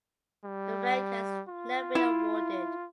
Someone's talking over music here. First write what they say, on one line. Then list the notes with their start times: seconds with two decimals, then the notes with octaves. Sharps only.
The rank has never been awarded.
0.45 G3
1.49 F4
1.95 E4